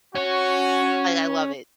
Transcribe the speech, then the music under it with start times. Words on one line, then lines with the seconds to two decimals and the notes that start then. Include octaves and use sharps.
Like, I love it.
0.15 C#4 F#4 C#5